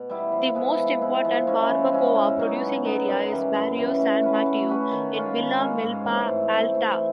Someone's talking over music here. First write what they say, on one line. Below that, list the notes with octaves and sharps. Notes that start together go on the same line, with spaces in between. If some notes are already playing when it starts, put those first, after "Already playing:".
The most important barbacoa producing area is Barrio San Mateo in Villa Milpa Alta.
Already playing: B2
G3 B3 E4
F3
G#3 B3 E4
F3
G#3 B3 E4
F3
G#3 C#4 E4
F3
G#3 C#4 E4
C#3
F#3 B3 D#4
C#3
F#3 B3 D#4
F#2
C#3 E3 G3
F#2
C#3 E3 G3
A3
C#4 F#4 B4
A3
C#4 F#4 B4
D#3
G#3 C#4 F4
D#3
G#3 C#4 F4
G#2
E3 A3 C4
G#2
E3 A3 C4
E3